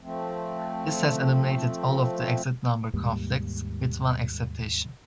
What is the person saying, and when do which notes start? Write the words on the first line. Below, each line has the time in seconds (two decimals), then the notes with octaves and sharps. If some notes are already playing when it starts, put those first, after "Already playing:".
This has eliminated all of the exit number conflicts, with one exception.
0.01 F3 A3 C4
2.93 D#2 G#2 G3 A#3